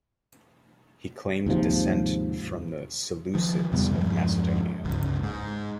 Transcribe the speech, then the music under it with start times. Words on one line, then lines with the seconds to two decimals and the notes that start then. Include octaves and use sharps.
He claimed descent from the Seleucids of Macedonia.
1.46 D#2 G#2 C3 F3
3.34 D#3 F3
3.72 E2 C3 G3 B3
3.91 E2 G2 F3 G#3
4.84 G1 C#2
5.23 G#2